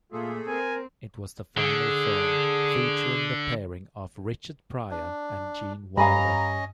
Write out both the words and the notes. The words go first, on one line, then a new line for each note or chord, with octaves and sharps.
It was the final film featuring the pairing of Richard Pryor and Gene Wilder.
A#2 A3 F4 G#4 A4
C4 A#4 G#5
D3 G#4
D4
G2 C#4 D#5 F5 G#5 A#5 B5